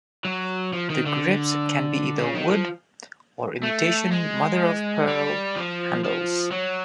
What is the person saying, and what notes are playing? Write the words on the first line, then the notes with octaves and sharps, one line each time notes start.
The grips can be either wood or imitation mother-of-pearl handles.
F#3
F3
D#3
D3
C#3
D#3
F3
A3
G#3
G3
F3
F3
F#3